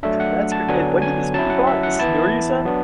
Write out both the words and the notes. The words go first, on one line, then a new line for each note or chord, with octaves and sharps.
that's cr and when did this movie come out? This is newer you said?
F#3 A3 D4 E5
F#5
A5
D3 F#3 B3 D4 G#5
G#5
F#3 C#4 E4 A5
F#5
E5
F#5
E3 B3 E4 A5
F#3 B3 D4